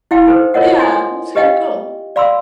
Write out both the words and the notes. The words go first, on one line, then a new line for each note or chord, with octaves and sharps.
Yeah, that's kind of cool.
E4 F#4 F5 G5
D#4 A4 B4 C5
F4 A#4 C#5 D#5 F#5
A4 G#5 C6
G4 B4 D#5 F5 G5
D5 F5 B5 C6 E6